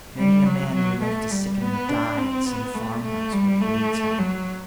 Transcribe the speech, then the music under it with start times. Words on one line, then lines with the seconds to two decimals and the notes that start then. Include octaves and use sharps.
Many a man we left to sicken and die at some farmhouse by the roadside.
0.17 G3
0.45 F#3
0.74 F#3
1.03 A3
1.31 G3
1.61 B3
1.89 D4
2.17 C4
2.46 B3
2.75 A3
3.04 A3
3.32 G3
3.61 A3
4.18 F#3